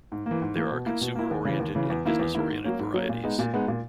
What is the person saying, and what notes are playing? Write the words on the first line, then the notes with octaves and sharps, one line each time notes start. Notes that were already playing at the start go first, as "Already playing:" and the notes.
There are consumer oriented and business oriented varieties.
G#2
A#3
E3
G#2
E3 A#3
B2
A#3 E4
B2
A#3 E4
D#2
C#3 E3
D#2
C#3 E3
E2
D#3 A#3 E4
E2
D#3 A#3 E4
G#2
F#3 A#3 C#4
G#2
F#3 A#3 C#4
A#2
G#3 B3 D#4
A#2
G#3 B3 D#4
A#2